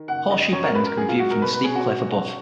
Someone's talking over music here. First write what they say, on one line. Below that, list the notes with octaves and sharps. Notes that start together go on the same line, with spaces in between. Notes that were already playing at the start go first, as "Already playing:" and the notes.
Horseshoe Bend can be viewed from the steep cliff above.
Already playing: D#3
F#1 F#5
F#2 D#5
F#2 C#5
A#4
F#2 B4
A#4
F#2 G#4
F4
G#3 F#4
A#4
B2 B4
B4
C#4 G#4
F#4
B1
C#4